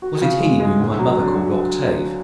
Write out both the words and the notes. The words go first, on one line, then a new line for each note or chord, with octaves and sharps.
Was it he whom my mother called Octave?
F#4
C#3
G#3
G#3
D2
F#3
D3